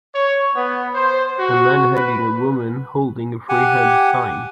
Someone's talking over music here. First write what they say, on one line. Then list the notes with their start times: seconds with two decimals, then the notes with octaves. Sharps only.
A man hugging a woman holding a free hugs sign.
0.15 C#5
0.55 B3
0.94 C5
1.39 F#4
1.96 B4
3.49 G4 F#5 G#5